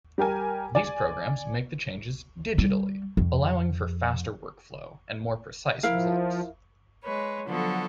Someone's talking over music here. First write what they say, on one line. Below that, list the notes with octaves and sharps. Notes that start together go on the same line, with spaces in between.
These programs make the changes digitally, allowing for faster workflow and more precise results.
G3 G4 A#4 G#5
D5 G#5
G3
F2
F3 E4 A#4 F5
G#3 B4 C#5
D3 F3 F#3 B3 F#4 A4